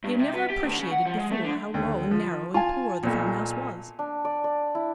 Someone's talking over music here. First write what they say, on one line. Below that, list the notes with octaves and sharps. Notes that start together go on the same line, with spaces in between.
He had never appreciated before how low and narrow and poor the farm-house was.
G2
C3
B3
G4
D2
C#3
F#5
F3
G#3
A3
D3
D#2 D3
F3
F4 G#5 A5
B1 A#2
D4
D5
D5
E4